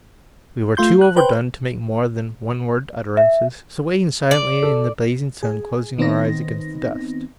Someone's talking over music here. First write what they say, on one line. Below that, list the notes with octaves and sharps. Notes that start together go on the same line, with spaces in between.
We were too overdone to make more than one-worded utterances, so waited silently in the blazing sun, closing our eyes against the dust.
A3 F4 C6 G6
F#6
B4 C5 G5
E5
D5
A4
G#4
D#3 B3 C4 D#4 A#6